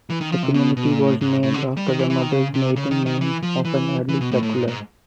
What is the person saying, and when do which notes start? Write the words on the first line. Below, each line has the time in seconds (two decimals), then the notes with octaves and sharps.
The community was named after the mother's maiden name of an early settler.
0.10 E3
0.21 D#3
0.32 F3
0.43 C3
0.54 B2
0.77 B2
0.90 A#2
0.99 A2
1.21 G#2
1.43 A2
1.54 D3
1.77 G3
1.88 D#3
1.99 E3
2.10 E3
2.21 D#3
2.32 C#3
2.54 C3
2.76 C#3
2.91 D#3
3.06 D#3
3.21 E3
3.43 F3
3.65 E3
4.09 E3
4.21 B2
4.31 A2
4.43 A2
4.53 G#2
4.68 G#2